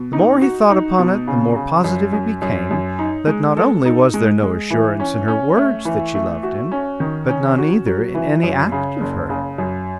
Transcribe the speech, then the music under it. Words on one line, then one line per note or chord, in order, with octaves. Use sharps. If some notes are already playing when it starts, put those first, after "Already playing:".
The more he thought upon it the more positive he became that not only was there no assurance in her words that she loved him, but none either in any act of hers.
Already playing: B2
D#4
F#4
D#4
B2
C#3
C#3
F#2
F#2
F#2
F#2
D#4
G#3
A4
D#4
G#3
G#3
E3
C#4
C#4
A3
E3
A3
F#4
C#4
D#3
C#4
F#4
F#3
E3
F#2
C#3
F#1
C#3
F#2